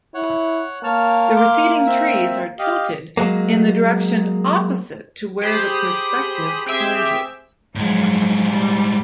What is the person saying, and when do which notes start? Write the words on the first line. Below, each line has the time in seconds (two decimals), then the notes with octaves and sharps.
The receding trees are tilted in the direction opposite to where the perspective plunges.
0.14 E4 C#5 F#5
0.84 A#3 C#5 A5 F6
1.36 F5 C6 D6
1.87 C4 E5
2.59 G4 D#5 F5
3.17 F#3 G#3 A#3
5.42 G4 G#4 C5 B5 D#6
6.66 C4 G4 G#4 E5 G5
7.76 A2 F3 F#3 G#3
8.47 G3